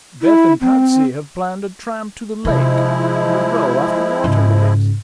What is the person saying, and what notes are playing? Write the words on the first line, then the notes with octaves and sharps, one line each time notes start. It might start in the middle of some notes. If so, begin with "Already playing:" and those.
"Beth and Patsy have planned a tramp to the lake, and a row after water-lilies."
E4
C4
C3 D#3 F3 G#3 E4
G#2 C#3